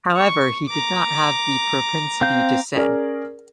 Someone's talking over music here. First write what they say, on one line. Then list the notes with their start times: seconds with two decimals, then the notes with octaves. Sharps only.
However, he did not have the propensity to sin.
0.17 C#6
0.69 A#5 D6
2.21 C4 F5 G6
2.76 C#4 G#4 A#4 D5